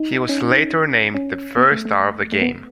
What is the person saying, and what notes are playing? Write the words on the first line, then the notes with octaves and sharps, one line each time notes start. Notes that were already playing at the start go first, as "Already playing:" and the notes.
He was later named the first star of the game.
Already playing: D#4
C#4
C#4
B3
A3
A3
A3
B3